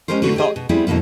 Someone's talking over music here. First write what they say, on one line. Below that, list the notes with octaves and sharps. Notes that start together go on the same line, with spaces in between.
you felt
G#3 A#3 C#4 G4 A#4 C5
D3 A3 F#4 B4
G4 G#4 D#5
B2
G3 B3 C4 E4 G#4
F2 B2 D3 A#3 E4